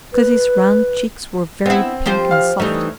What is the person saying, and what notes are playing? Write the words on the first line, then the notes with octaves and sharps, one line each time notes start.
Clytie's round cheeks were very pink and soft.
B4
B3 C4 E4
F3 G4 C5
F5 F6
E3 G3 A3 D#4